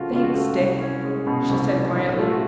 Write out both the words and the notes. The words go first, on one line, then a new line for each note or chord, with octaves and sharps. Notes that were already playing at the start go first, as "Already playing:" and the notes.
"Thanks--Dick," she said quietly.
Already playing: C#2 C#3 F3 A3 F4 F#4
C#2 F4
F#4
A3
C2
C#4
G#3
B2
C2
C#4
A#1
A3 F4
F#4